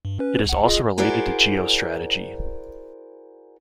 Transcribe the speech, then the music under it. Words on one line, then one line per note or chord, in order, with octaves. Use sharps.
It is also related to geostrategy.
G2
C#4 B4
C#2 F#5
F4 G#4 D#5
E4 F#4 G#4 A#4 C5 D5